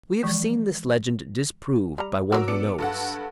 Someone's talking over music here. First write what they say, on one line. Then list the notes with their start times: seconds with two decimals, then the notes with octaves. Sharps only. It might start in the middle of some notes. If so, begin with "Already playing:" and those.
We have seen this legend disproved by one who knows.
0.23 E3 F3 G#3
1.98 G3 A#5
2.32 F#3 F4 F#4 A#4 D6 E6
2.48 B3 D4 C#7
2.79 G2 A4 F#5